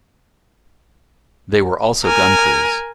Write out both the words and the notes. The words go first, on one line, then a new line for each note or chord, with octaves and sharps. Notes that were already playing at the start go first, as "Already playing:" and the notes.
They were also gun crews.
A#4 G#5